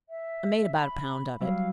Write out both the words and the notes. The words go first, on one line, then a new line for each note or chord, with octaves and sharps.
I made about a pound of it.
E5
B5
F#3 G3 E4 F5